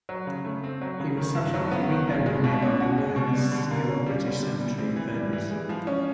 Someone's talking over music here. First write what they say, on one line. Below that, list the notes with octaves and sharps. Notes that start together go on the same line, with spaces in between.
He was subsequently reburied nearby in Hermies Hill British Cemetery, Hermies.
F#3
C#3
A3
C4
F#3
C#3
D#3
G2
F#3
B3
D#3
G2
G#3
B2
C#4
F#4
G#3
B2
G3
D3
A#3
C#4
G3
D3
G3
E3
C4
E3
G3
E3
G#3
F3
C#4